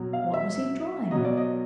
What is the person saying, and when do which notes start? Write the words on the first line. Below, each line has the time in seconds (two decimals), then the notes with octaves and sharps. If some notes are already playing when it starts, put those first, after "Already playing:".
What was he drawing?
Already playing: B2 F#3
0.13 F5
0.34 E5
1.11 B2 F#3 D#5
1.25 D5
1.37 D#5